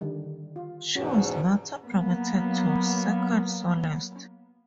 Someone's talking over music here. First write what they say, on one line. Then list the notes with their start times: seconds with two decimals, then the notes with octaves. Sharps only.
She was later promoted to second soloist.
0.01 D3 D#3 G3
0.56 F4
0.95 E2 G#2 B2 C#4 F#4 G4
1.84 F#3 A#3 B3